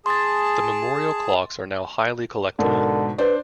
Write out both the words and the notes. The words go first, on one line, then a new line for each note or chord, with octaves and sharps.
The memorial clocks are now highly collectible.
G#4 A5 C6 A6
G#2 B2 D3 A#4
D4 B4 C5 D5